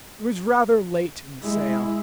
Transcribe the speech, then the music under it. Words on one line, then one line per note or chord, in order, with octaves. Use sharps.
It was rather late in the sale.
G#3 E4